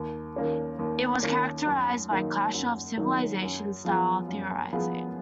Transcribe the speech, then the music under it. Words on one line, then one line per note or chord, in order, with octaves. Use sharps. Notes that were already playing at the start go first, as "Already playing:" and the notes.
It was characterized by clash of civilizations-style theorizing.
Already playing: D#2
D#3 A#3 C#4
D#2
D#3 A#3 C#4
F#2
D#3 F#3 A#3 D#4
F#2
D#3 F#3 A#3 D#4
F#2
F3 B3 F4 G#4
F#2
F3 B3 F4 G#4